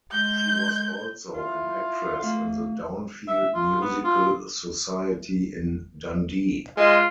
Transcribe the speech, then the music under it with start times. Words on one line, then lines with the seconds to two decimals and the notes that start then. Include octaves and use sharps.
She was also an actress in the Downfield Musical Society in Dundee.
0.12 G#3 G6
1.35 E4 F4
2.20 A3 F5
3.28 E5
3.55 F4
3.81 B3
4.04 F4
6.77 G#3 F4